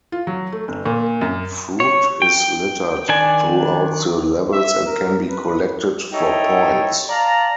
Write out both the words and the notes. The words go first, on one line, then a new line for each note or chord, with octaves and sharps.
Fruit is littered throughout the levels and can be collected for points.
F4
F#3
A3
G1
A#2
F#2
C#5
G5
D#3 D4 D5 G#5
E5
A#4
B4
D#4 E4 A4 C#5 E5 G5
D5 F5 A5 A#5